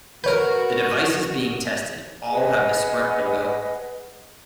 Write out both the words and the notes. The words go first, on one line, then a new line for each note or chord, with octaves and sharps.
The devices being tested all have the Sprint logo.
F#4 A#4 B4 C#5 G6
G#4 B4 D#5 F#5